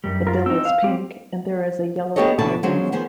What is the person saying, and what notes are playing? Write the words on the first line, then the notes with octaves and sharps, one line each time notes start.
The bill is pink, and there is a yellow eye-ring.
F#2 G3
F4 A#4
C4 D#4 E6
F5
C4 G4
B3 D4 G4 A4 C#5 D#5
D#2 B2 D3 F#4 B4 A5
F#3 G#3 C#4 F4 F#4 C5
D#3 F3 B3 G#4 C5